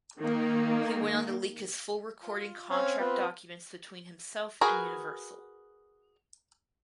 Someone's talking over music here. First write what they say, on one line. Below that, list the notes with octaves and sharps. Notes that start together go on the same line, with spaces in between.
He went on to leak his full recording contract documents between himself and Universal.
D#3 A#3
F4
C4 C#4 C#5 F5 G#5
B3 C4 F4 B4
F#4 G#4 A#4 B4